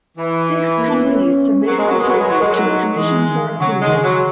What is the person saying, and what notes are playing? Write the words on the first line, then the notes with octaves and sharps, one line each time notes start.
Six companies submitted proposals to the commission for approval.
E3
A#3
B3
C#4
G#4
F#3 A#4
G#3
F#3
G#3 B4
F#3
G#3
F#3 B4
G#3 A#4
G#4
F#3 A#4
E4
D#4
E3 G#3
D#3
C#3 F#3
E3 G#3
D#3
F#3